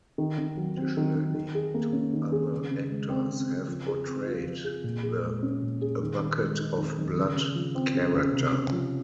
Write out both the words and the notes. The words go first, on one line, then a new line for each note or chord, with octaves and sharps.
Additionally, two other actors have portrayed the "A Bucket of Blood" character.
D#3
D#3
F#3
C4
D#3
D#3
D#3
G#4
A#3
C#4
D#3
G#4
C#3
C#3
G#3
C4
C#3
C#3
F3
G#4
C4
F4
F3
G#4
A#2
G#4
G#3
C#4
A#2
G#4
D#3
D#3
G#3
D#4
D#3
D#3
C#3
C#3
F3
C4
C#3
C#3
C3
C#4
F3